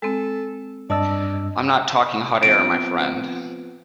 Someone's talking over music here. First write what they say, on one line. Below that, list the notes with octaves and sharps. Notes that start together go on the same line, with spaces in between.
I’m not talking hot air, my friend.
G#3 C4 A4
G2 D5 D#5 A5 E6 A6
F3 B3 C4 D7